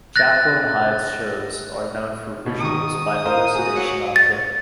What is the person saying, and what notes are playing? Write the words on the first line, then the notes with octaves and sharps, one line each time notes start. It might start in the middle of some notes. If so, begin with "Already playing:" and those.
Jackal and Hyde's shows are known for visuals by Hallucination on Film.
F#6 A6 A#6
B2
D#3 C#6 D#6
A#4 C5 F5
F#4 G#4
F#3 F#5
A6